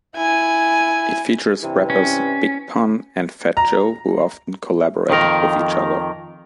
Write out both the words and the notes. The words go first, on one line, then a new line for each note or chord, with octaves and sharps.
It features rappers Big Pun and Fat Joe who often collaborated with each other.
E4 G#5
G2 C3 E3
C#4
A#5
F2 D#3 A#4